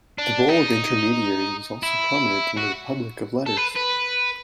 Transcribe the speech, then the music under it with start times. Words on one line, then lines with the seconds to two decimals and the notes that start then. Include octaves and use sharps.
The role of intermediary was also prominent in the Republic of Letters.
0.18 D4
0.48 D#4
1.83 E4
2.57 F#4
3.47 A4
3.57 B4
3.76 B4